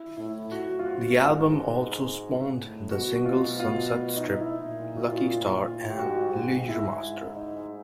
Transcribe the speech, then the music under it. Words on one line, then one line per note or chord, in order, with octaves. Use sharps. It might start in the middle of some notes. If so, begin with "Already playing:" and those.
The album also spawned the singles 'Sunset Strip', 'Lucky Star' and 'Leisuremaster'.
Already playing: E4
A2 E4
F#4
F4
F#4
G#2
A2
B2 F#4
F#4
F4
F4
D#4
E4
A#2 E4
F#4
F4
E4
F4
F4
F4
G4
G#2 F#4
G#2
G#2 E4
D#4